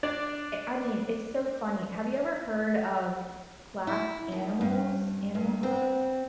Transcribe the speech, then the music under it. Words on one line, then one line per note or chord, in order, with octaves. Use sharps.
I I mean, it's so funny. Have you ever heard of Glass Animals? Animal Glass?
D4 D5
E4
D#2
G2
G2
C4